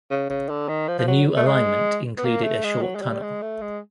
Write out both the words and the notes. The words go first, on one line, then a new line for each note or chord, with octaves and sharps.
The new alignment included a short tunnel.
C#3
C#3
D3
D#3
F3
F3
F#3
A3
G#3
B3
A#3
A3
G#3
F#3
G#3
G3
G#3
A3
G#3